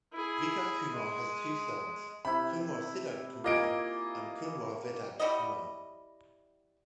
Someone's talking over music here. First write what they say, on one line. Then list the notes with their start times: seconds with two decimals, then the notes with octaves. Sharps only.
Vikas Kumar has two sons kunwar Siddhant kumar and kunwar Vedansh kumar.
0.12 E4 G#4
0.93 G#3
2.25 C3 E4 B5
3.44 A#3 F4 D#5 G#5 D7
5.19 G3 E4 F#4 D#5